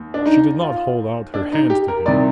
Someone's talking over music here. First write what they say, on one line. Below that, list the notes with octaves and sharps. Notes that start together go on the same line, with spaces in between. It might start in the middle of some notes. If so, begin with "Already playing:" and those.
She did not hold out her hand to him.
Already playing: D#2
D4
D#4
F4
D4
D#4
G4
A#4
C2 C3 D#3 D5